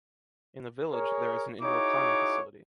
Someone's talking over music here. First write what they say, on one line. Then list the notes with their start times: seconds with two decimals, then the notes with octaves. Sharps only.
In the village, there is an indoor climbing facility.
0.92 G#4 A#4 C#5
1.62 D#4 E4 F#4 G#4 C#5 D6